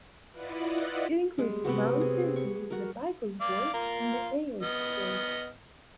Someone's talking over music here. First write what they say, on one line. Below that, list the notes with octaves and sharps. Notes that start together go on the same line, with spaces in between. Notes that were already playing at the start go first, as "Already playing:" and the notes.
It includes Mount Tymfi, the Vikos Gorge and the Aoos Gorge.
E4 F4 B4 D5 D#5 F#5
G3 G#3
C3 B3 C4 F#4
G#4
C#6
F#4 A#4
D5 F5 D6
F4 A#4
B3 D#5 F6